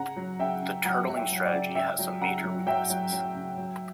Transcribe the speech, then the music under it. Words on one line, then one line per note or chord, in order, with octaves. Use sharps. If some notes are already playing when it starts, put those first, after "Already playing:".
The turtling strategy has some major weaknesses.
Already playing: C#3 F#5 A#5
F#3
C#3 E5 G5
C#3
F#3 F#5 A#5
F#3
E5 G5
F#3
D5 F#5
C#3
C#3 E5 G5
F#3
C#3 F#5 A#5
F#3
F#3 E5 G5
F#3
F#3
C#3
F#3